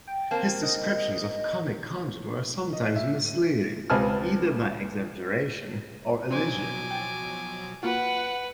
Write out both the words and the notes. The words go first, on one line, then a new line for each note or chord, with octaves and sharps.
His descriptions of comic content were sometimes misleading, either by exaggeration or elision.
G5
A#3 C4 A5
D#5
D#5
E5
D#7
C#2 C4 B4 G#5 A5 F6
B2 F3 F#3 C4 C5 G#5 D6
G5 G6 A6
A#3 F4 F#4 B4 F#5